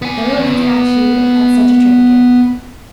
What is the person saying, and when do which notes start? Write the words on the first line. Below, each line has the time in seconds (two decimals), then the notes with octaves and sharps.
Never let me catch you at such a trick again.
0.02 B3 G#5